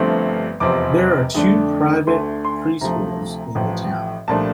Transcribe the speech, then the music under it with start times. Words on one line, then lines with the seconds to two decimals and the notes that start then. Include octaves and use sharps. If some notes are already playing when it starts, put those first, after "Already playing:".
There are two private pre-schools in the town.
Already playing: G1 G2 F3 A3 C4
0.60 F1 E2 C3 F3 C4 D6
1.34 F2 D3 A3 D4
2.07 D2 D3 A3 C6
2.45 C6
2.81 D2 C3 F3 A3 A#5
3.55 A1 A2 F3
4.28 C2 A#2 F3 A3 D4 A5